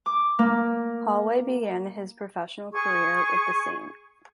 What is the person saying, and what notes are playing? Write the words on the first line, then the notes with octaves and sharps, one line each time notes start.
Holway began his professional career with the St.
D6
A#3
G#4 C#6